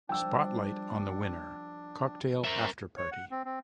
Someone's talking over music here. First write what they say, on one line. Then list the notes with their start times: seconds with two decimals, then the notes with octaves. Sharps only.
Spotlight on the Winner: Cocktail after-party.
0.09 F3 G3 D4 G5 E6
2.44 A#4 C5 E5
2.98 C#5
3.12 F#5
3.31 C4
3.45 C4